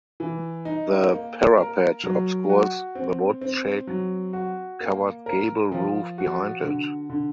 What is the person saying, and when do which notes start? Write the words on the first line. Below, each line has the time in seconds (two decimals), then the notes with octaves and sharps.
The parapet obscures the wood shake covered gable roof behind it.
0.20 E3
0.65 D#4
1.12 A#3
1.58 A#4
2.04 F#3
2.49 F#4
2.95 C4
3.41 C4
3.87 F#3
4.33 F#4
4.80 A#3
5.26 A#4
5.72 F3
6.18 F#4
6.64 D3
7.10 D3